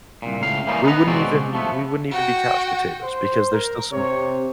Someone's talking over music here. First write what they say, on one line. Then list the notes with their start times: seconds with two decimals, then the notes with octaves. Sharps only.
We wouldn't even we wouldn't even be couch potatoes because there's still some
0.22 C2 A#2
0.41 C#2 A2 F5
0.67 E3 G3 A#3 C#4 D#4 F4
0.84 B3 D#4 B4 A#5
1.06 C#2 B2 G#3 C4 F#4 D5
1.53 F3 A3 B3
2.11 F#4 G5
3.03 C5
3.53 A#4
3.93 C3 C#5